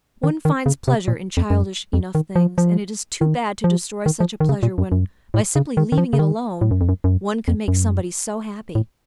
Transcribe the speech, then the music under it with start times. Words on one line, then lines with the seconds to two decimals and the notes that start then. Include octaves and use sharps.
"One finds pleasure in childish enough things, and it is too bad to destroy such a pleasure when, by simply leaving it alone, one can make somebody so happy."
0.24 D#3
0.45 D#3
0.66 C#3
0.88 C3
1.08 A#2
1.37 F2
1.50 F#2
1.93 F2
2.15 D#3
2.36 F3
2.58 F3
3.21 D#3
3.64 F3
4.06 D#3
4.20 F3
4.40 D#3
4.49 C#3
4.63 A#2
4.78 F#2
4.92 F#2
5.34 A2
5.56 C#3
5.77 D#3
5.92 D#3
5.98 F3
6.13 C#3
6.19 D#3
6.61 A2
6.71 F#2
6.81 F2
6.89 F#2
7.04 F#2
7.48 F2
7.68 F#2
8.75 A2